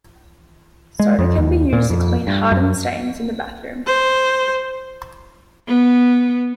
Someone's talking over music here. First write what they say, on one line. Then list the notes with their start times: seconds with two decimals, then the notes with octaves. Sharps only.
Soda can be used to clean hardened stains in the bathroom.
1.00 G#3
1.19 F2
1.38 D#2
1.73 A#2
1.90 F2
2.27 G2
2.51 F#2
3.87 C5
5.68 B3